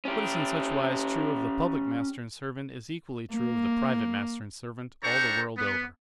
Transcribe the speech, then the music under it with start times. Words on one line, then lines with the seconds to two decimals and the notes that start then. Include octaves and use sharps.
What is in such wise true of the public master and servant, is equally true of the private master and servant all the world over.
0.05 C#4 G4
3.34 A#3
5.04 D4 A4 C5 G5 A#5 C#6
5.58 B3